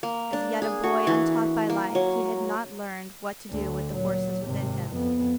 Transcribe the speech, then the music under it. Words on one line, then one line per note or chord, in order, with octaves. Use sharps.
As yet a boy untaught by life, he had not learned what to do with the forces within him.
A#3
D4
G#4
F#4
E3
A#3
F#3
D2 D3
A#2 F#3
G#1 C3
F2 B3